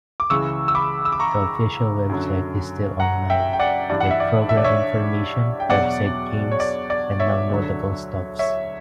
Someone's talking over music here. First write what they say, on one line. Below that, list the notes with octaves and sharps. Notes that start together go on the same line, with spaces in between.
The official website is still online, with program information, website games and downloadable stuffs.
D6
C#2 C#3 E3 C#6 E6
E6
B5 D6
E6
D6
A#5 C#6
F#2 D3 F#3
F#5 A#5
E5 G5
G5
D5 F#5
G2 E3 D5
F#5
E5
D5
E5
D5
C#5 E5
G5
E2 B2 F#3 D5 F#5
C#5
D5
D5
C#5 E5
D2 D3 F#3
C#5 E5